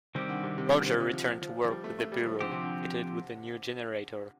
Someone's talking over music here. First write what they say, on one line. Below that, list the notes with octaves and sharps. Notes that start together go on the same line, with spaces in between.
Roger returned to work with the Bureau, fitted with a new generator.
C3 D#3 G3 C4 G4
D3
C3
C3
D3
C3
C3
F3
F3
F3
F3
G3
A3
A3
G3
F3
D3 F3 C4 G4
C3
D3